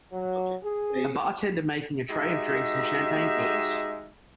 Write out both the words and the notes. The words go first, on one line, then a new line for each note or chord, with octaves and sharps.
A bartender making a tray of drinks in champagne flutes.
F#3
G#4
G#3 D#4 F#4 G4 E5